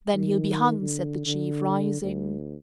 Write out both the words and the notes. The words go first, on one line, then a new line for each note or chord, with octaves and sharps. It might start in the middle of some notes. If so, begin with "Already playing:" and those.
"Then he'll be hung," said the Chief, rising.
D#3
D3
D3
D2